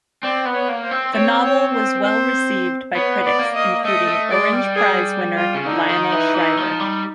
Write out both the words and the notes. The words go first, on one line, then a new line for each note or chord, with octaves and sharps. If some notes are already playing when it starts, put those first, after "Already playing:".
The novel was well received by critics including Orange Prize winner Lionel Shriver.
C4 D5
B3
C#5
A#3
C5
C4
C4 C#5
C#5
C5
C5
B3 C#5
D5
A#3
D#5
A3 D#5
A3
G#3 D5
G3
G#4
F4
C#3
D3 D#4
D#3
E3
E3
F3
G3